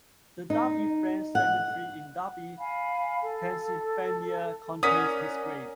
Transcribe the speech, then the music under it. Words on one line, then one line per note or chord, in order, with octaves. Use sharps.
The Darby Friends Cemetery in Darby, Pennsylvania contains his grave.
D#4
F#5
F5 G#5 B5
A4
C#4 A#4 D5 F#5 D#6 B6